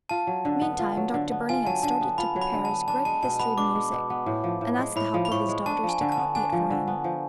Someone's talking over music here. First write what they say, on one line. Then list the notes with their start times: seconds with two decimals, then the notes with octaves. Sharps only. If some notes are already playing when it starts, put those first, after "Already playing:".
Meantime Dr. Burney had started to prepare his great History of Music, and asked the help of his daughters to copy it for him.
0.09 F4 A5
0.27 F#3
0.45 D3
0.62 B3
0.79 F4
0.97 F#3
1.14 D3
1.32 B3
1.49 F4 G#5
1.66 F#3 A5
1.83 D3 A5
2.01 B3
2.18 F4 B5
2.36 F#3
2.41 B5
2.53 D3
2.65 A5
2.71 B3
2.88 D4 A5
3.05 G#3 A5
3.23 B2 A5
3.40 B3 B5
3.58 D4 D6
3.75 G#3
3.92 B2
4.10 B3
4.26 A2
4.44 F3
4.61 A2
4.79 G#3
4.96 A2 B5
5.14 F3
5.25 B5
5.32 A2 C#6
5.49 G#3
5.66 D4 A5
5.83 F3
5.89 G#5
6.01 D3
6.12 A5
6.17 B3
6.35 D4 G#5
6.52 F3
6.70 D3
6.88 B3
7.04 F3